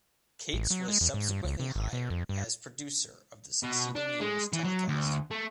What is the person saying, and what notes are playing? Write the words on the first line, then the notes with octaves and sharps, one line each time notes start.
Cates was subsequently hired as producer of the succeeding year's telecast.
A1
F#3
G#3
E2
G#2
G2
C#2
C3
G#1
B2
F2
G2
B2
D4
G#3
E3
F#3
D2
A3